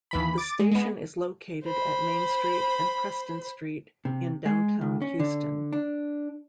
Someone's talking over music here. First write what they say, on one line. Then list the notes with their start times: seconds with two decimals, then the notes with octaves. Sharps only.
The station is located at Main Street and Preston Street in Downtown Houston.
0.11 D#2 E3 B5
0.38 D6 A6
0.59 G#3
0.71 G#3 B3
1.64 C5 B5
4.05 C3
4.46 G#3
4.81 C#2
5.02 C#4
5.20 D3
5.73 D4